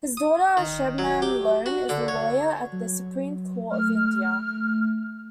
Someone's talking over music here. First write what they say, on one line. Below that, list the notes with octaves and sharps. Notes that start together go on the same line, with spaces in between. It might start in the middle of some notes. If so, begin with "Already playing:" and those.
His daughter Shabnam Lone is a lawyer at the Supreme Court of India.
D#6
D#3
F#3
G4
F#4
D3
C#5
F#3
A3 F6